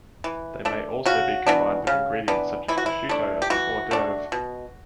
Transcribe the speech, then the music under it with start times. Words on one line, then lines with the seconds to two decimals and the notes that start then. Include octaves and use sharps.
They may also be combined with ingredients such as prosciutto as an hors d'œuvre.
0.24 E3
0.65 A3 D4
1.06 C#3 F#4
1.47 E3 B3 D4
1.87 C#3
2.28 E3 B3 D4
2.68 E3 E4
2.78 F#4
2.86 E4
3.09 A3 D4
3.42 G4
3.50 E3 F#4
3.91 A3 D4
4.32 B2